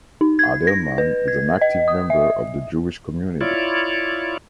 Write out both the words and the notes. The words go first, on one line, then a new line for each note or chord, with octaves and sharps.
Adelman is an active member of the Jewish community.
D#4
G#6
A#6
B4
G#6
D#5
D#6
E5
E4 F4 C#5 D5